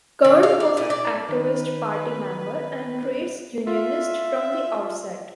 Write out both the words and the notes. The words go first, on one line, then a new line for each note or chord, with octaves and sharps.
Kern was an activist party member and trades unionist from the outset.
D#3
F5
D5
A#2
D5
D#3 B4
F4 E5